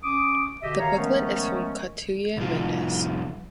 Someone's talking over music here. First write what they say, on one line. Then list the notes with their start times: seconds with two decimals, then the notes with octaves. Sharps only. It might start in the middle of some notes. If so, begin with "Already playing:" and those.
The booklet is from Catulle Mendes.
0.04 C#4 D6 D#6
0.62 B2 D3 G4 D#5 E5
0.79 B2 D#3 C#5 F5 A#5
0.97 D#3 F3 G#3 A3 B3 C#4
2.37 C2 F3